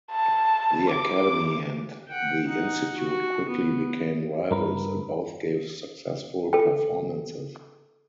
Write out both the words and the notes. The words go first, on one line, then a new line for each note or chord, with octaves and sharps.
The Academy and the Institute quickly became rivals, and both gave successful performances.
A5
D6
F#5 G5
D#4 F#5
F#4
B3
G2 A#4 B4
A4 G5